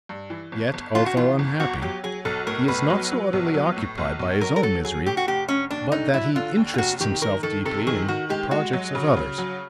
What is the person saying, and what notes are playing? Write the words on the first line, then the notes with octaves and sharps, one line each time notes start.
Yet, although unhappy, he is not so utterly occupied by his own misery but that he interests himself deeply in the projects of others.
G2
E3
G1
G1
G1 F4
F#4
E3 F4
G1
G1 F#4
F#3 G4
F#3 G#4
B1 A4
A2 A#4
B1 B4
F#3
F#3
B1
F#3
A2
B1
B1
F#3 A#4
A#4
F#3 A4
F#3 G#4
A2 G4
F#4
F1 G4
F1 C#4
D#2 D4
D3 D#4
F#3 E4
D3 F4
D#2
F4
F1 F#4
D#3 G4
D#3 A#4
D#3 A4
C3 A4
D#3 G#4
D#3 F#4
G#3 G4
G#3 F#4
F#3
C#3
C#3
F#3